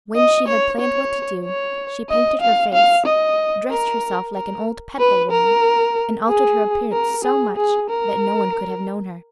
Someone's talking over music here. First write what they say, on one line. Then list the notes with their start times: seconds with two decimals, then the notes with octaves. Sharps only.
When she had planned what to do, she painted her face, dressed herself like an old pedlar-woman, and altered her appearance so much, that no one could have known her.
0.16 D#5
0.48 C#5
0.80 C#5
1.45 C#5
2.09 D#5
2.41 F5
2.73 F5
3.06 D#5
3.70 A#4
4.35 A#4
4.99 B4
5.31 A#4
6.28 G#4
6.92 A#4
7.25 G#4
7.57 G#4
7.89 A#4